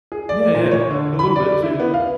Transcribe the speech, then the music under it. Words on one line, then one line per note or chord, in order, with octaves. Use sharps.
Yeah, yeah. A little bit too.
G#4
D5
A#2
C#5
D3
B5
D5
E4
B3
F5